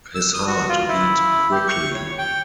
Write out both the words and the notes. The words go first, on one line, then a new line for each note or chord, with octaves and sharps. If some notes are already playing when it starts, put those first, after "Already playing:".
His heart beat quickly.
E6
D#6
F#4
F4
E4
G4
C#6
C#5
G5